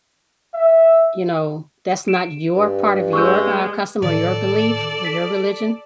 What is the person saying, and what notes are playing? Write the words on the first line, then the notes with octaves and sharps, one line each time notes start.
you know, that's not your part of your, uh, custom or your belief or your religion,
E5
D7 E7
G2
G#3 C#6 E6 G6
A2 D#3 A4 D5
B6